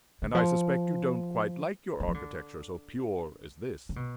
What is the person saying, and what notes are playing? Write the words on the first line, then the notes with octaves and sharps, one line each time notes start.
And I suspect you don't quite like your architecture so "pure" as this.
D3
F3
F#3
F3
D3
C#3
B2